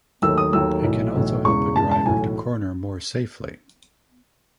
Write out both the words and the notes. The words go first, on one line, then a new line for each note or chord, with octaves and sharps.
It can also help a driver to corner more safely.
D#2 D#3 F#3 A3 E6
D#6
D#2 D#3 F#3 A3 E6
B1 A2 E3
B1 A2 E3
E1 E2 C#3 G#3 C#6
E1 E2 C#3 G#3 A5
A5
B1 A2 E3 A3 G#5